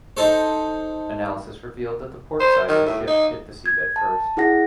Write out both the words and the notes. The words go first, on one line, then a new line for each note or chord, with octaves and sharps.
Analysis revealed that the port side of the ship hit the seabed first.
D#4 A4 C5
C5
D#3
A2
D#4
G#6
A5
E4 G#4 F#5 A#6